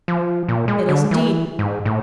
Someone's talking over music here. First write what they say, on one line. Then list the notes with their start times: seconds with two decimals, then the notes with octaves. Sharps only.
"It is indeed."
0.08 F3
0.48 A#2
0.68 G#3
0.89 D3
1.11 E3
1.59 G#2
1.85 A2